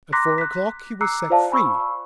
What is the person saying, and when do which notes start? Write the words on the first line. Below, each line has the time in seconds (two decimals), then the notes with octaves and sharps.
At four o'clock he was set free.
0.12 A#5 C6 D6 F#6 A#6 B6
0.38 F#6 B6
1.01 A#5 D6 E6 F#6 C7 C#7
1.30 F4 C5 D5 F5 A5
1.52 G#5 B5 C#6 E6